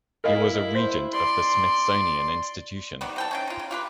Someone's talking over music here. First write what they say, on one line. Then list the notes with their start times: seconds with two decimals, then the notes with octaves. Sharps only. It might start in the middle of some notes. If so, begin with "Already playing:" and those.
He was a regent of the Smithsonian Institution.
0.24 E4 A#4 D#5 F5
0.75 C5
1.13 D5 C6
3.01 D#3 G3 B3
3.16 C3 G5 A5
3.31 C#4 D#4 G5
3.47 D#4 F4
3.59 C#3
3.71 F4 G4 B4